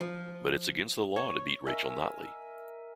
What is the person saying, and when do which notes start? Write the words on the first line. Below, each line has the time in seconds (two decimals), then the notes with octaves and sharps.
But it's against the law to beat Rachel Notley.
0.01 F3
1.16 C#5
1.67 A#4 D#5 E5 G#5